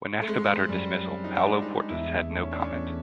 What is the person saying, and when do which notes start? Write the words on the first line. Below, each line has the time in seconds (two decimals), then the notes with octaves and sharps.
When asked about her dismissal, Paulo Portas had no comment.
0.22 A3
0.27 G#3 C4
0.68 F#2 G3
1.09 C4
1.24 D#4
1.35 D4
1.50 G#3
1.62 D#4
1.89 E2 E4
2.30 A3
2.43 C#4
2.51 D4
2.61 C#4
2.71 E2